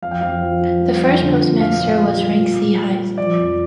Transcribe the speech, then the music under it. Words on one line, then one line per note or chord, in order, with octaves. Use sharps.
The first postmaster was Frank C. Hise.
F2 F5
G5
F2 F5
F3
F3
G3
F2
D3
F2
A#2 F5
A#2
G3
G3
A#2
A#2
G3
G3
F3 D5
F2